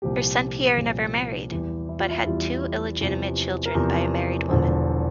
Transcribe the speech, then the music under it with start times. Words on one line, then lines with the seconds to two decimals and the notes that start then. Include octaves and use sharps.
Her son Pierre never married, but had two illegitimate children by a married woman.
0.02 C2 A#2 F3 G4
0.77 C2 A#2 F3
1.51 E2 E3 G3 G4
1.89 E4
1.99 F4
2.11 E4
2.26 E2 E3 G3 F4
3.00 E2 C3 F3
3.66 A#4
3.74 E2 C3 F3 C5
4.49 E1 E2 D3 F3